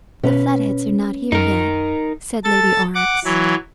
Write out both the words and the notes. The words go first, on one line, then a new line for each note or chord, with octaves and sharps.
"The Flatheads are not here yet," said Lady Aurex.
B2 C#4 B4
F#2 D#4 A#4
A4 A6
F#5 D6
E3 F#3